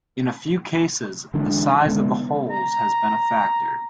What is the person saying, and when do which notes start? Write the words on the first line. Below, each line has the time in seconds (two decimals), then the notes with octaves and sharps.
In a few cases the size of the holes has been a factor.
1.34 D3 E3 G#3 D4
1.86 C#3 G#3 B3
2.51 A#5